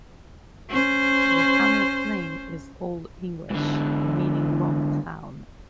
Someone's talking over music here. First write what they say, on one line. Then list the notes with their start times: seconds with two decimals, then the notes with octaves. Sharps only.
The hamlet's name is Old English, meaning "long town".
0.69 C#4 C5
3.50 G#2 D3